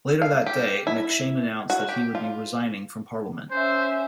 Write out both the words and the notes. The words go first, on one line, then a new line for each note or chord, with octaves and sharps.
Later that day, MacShane announced that he would be resigning from Parliament.
F5
G4
E4
F#4
G4
F4
C#4 C5 E5